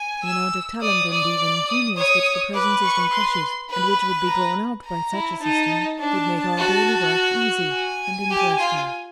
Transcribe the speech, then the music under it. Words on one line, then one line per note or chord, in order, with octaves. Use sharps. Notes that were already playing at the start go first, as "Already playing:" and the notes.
The amount of talent, and even genius, which the present system crushes, and which would be drawn out by such a system, would make our daily work easy and interesting.
Already playing: G#5
E6
D5 D#6
D5
D6
D#6
C#5 D#6
B4 D6
C#6
C6
B4 B5
A#5
A#5
E4
D#4 A5
D4 A5
F#4
G#5
G4
F4